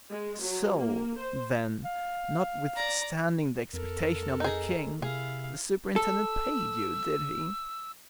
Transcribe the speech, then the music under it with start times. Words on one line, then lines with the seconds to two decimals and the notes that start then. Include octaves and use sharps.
"So, then, notwithstanding the expectation of the king, the superintendent paid you, did he?"
0.10 G#3
0.41 F#3
0.77 A#3
1.19 C5
1.85 F5
2.76 D5 A#5
3.73 F2 A4 A#4
4.40 D#4 G#4
5.02 C3 E4 G#4 F5
5.96 A4 E6